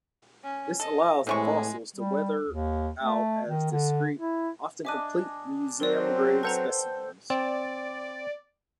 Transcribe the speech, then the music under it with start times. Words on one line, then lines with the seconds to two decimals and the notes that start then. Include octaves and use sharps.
This allows the fossils to weather out as discrete, often complete museum-grade specimens.
0.43 C#4
0.80 A4 D#5
1.27 A2 C3 E3 G#3 C#6
1.96 G3
2.48 D#2
3.03 A3
3.47 D#3
3.71 D3
4.16 E4
4.85 D4 D#5 E5 G#5 D6 D#7
5.80 F#3 C4 A#4 C5 D5
6.43 A4 B4 F#5 G5 A#5
7.30 C4 D5